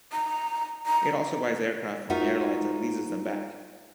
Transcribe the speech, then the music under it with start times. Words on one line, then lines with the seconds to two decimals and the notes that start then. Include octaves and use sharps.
It also buys aircraft from airlines and leases them back.
0.13 A#5
0.86 A#5
2.10 D#4 F4 F#4 A#4 E5